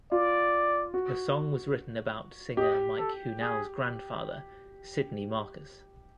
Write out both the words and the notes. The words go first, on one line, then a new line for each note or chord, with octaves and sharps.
The song was written about singer Mike Hunau's grandfather, Sydney Marcus.
F4 D5
F#4
G4 D#5
A4
G#4